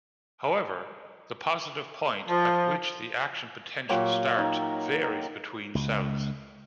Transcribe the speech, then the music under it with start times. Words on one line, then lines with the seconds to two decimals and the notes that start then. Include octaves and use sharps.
However, the positive point, at which the action potential starts, varies between cells.
2.29 F3
3.89 A#2 F#3 G4
4.39 D#4
5.03 A#5
5.75 C#2